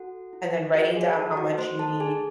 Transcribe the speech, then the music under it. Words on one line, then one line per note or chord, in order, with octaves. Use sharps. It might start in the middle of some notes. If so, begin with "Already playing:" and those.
and then writing down how much you need
Already playing: F#4 A4 F#5
E4
F#4 G#4 F#5
G#4 G#5
D#4 A4 A5
F#4 F#5
A3 C5 C6
A4 A5
G#4 A4 G#5